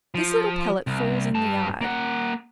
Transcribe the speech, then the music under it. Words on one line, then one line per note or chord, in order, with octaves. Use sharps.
This little pellet falls in the yard.
F3
C2
G2 A5
A#3 F#5